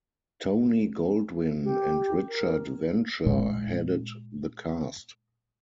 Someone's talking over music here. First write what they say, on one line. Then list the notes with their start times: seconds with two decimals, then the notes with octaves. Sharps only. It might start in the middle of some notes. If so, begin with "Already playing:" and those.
Tony Goldwyn and Richard Venture headed the cast.
1.64 G4
2.28 A#4
3.26 A#2 G#3